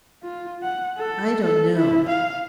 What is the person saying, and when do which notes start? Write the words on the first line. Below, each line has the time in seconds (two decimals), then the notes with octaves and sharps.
I don't know.
0.23 F4
0.63 F#5
0.97 A4
1.44 A4
1.74 E4
2.09 F5